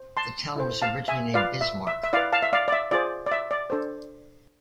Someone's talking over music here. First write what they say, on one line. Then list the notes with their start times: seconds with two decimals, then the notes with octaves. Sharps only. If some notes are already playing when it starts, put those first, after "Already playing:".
The town was originally named Bismarck.
Already playing: C5
0.17 A5 C6
0.56 E4 A4 C5
0.82 F5 A5
1.08 E5 G#5
1.34 F4 B4 D5 F5
1.61 E5
1.87 E5
2.04 E5
2.13 E4 B4 D5 F5
2.33 F5 A5
2.42 E5
2.53 D5 F5
2.68 D5
2.72 E5
2.91 F4 G#4 C5 D5
3.26 D5
3.32 E5
3.51 D5
3.70 D4 A4 C5